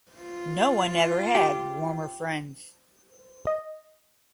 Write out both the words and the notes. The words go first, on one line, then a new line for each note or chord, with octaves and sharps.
No one ever had warmer friends.
F4
G4
D#5